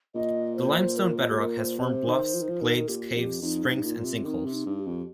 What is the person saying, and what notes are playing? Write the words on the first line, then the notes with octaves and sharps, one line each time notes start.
The limestone bedrock has formed bluffs, glades, caves, springs, and sinkholes.
A#2 D#5
C5
A#4
C5
G4
A#4
C5
C3 C5 D#5
D#3
F3
D#3
F3
D#3 A#4
A#2 G4
F2 G4
F2 D#4
G2
D#4
G2
A#2
F4
C3
D#3 C4
C3
D#4
G2
G4
F2